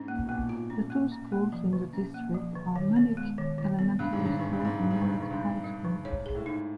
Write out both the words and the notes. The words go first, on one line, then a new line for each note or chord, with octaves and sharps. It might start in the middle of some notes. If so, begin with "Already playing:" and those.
The two schools in the district are Munich Elementary School and Munich High School.
Already playing: G#2 C#4
A#3
B2
A#2 A#3
F4
C#4
A#3
C#4
A#3
F3
D3
C#4
A#3
F3
D3
D#3
B3
G#3
D#3
D#3
B3
G2 G#3
G#2
D#3
G2
G#2 D3
G2
G#2 C4
G2 G3
G#2
G2 D3
G#2
D3
G2
C4
G3
D3
G#2 C#5
G#4
A2
G#2 D#4